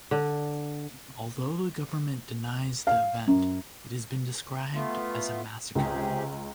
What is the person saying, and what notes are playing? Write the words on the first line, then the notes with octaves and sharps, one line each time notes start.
Although the government denies the event, it has been described as a Massacre.
D3
F5
F#2
A3 B3 F4
C#2 C3 G4 G#4